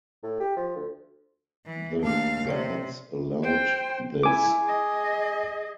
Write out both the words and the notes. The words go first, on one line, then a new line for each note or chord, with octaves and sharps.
The guards allowed this.
A2
G4
F3
D2
E3
D#2 A3 D4 F5
C3 C#5 D5 G5
C5 G5
E4 G#5 D6
G#4 D#5